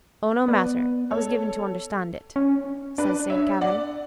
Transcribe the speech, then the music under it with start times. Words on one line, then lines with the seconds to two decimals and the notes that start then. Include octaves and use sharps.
"Oh, no matter; I was given to understand it," says Saint Kavin.
0.48 B3 B4 D5
1.11 A4 C#5
2.36 C#4
2.98 D4 B4 D5
3.30 C#5 E5
3.61 D5 F#5